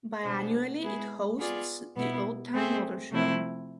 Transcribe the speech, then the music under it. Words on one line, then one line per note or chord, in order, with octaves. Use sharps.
Bi-annually, it hosts the Old Time Motor Show.
B2 B3 D4 G#4 C5
G#3 B3 E4 G#4
B3 F4 G#4 D5
B2 B3 E4
A3 C4 G#4 C5
C3 F3 A3 C4 E4